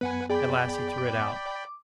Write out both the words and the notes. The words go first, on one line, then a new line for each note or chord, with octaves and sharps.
At last he threw it out.
F#2 B3 B4 F#5 G#5
G#4 D5 G5 B5
D6